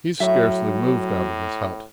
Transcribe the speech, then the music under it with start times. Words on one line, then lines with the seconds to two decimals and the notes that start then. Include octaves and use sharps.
He scarcely moved out of his hut.
0.20 A2 F#3 E5